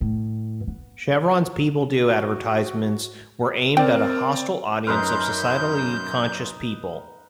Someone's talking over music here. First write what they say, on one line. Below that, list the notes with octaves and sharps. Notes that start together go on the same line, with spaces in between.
Chevron's "People Do" advertisements were aimed at a "hostile audience" of "societally conscious" people.
A2
B3
F#4
C4 A#4 D5 G5
F#2 D#4 A#4 B4 C6 F6 G6